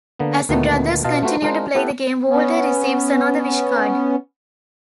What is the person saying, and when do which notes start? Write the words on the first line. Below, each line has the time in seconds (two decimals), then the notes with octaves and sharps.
As the brothers continue to play the game, Walter receives another wish card.
0.19 D3 A#3 B3
0.49 D2 A#2 D#3 A3 B3
1.04 B2 F4 D#5 F5 A5
1.23 A3 F4 F#4 B4 C5
1.42 G#3 D4 F4 A#4 C5
1.75 B3 E4 G4 A4 B4
2.28 B3 C#4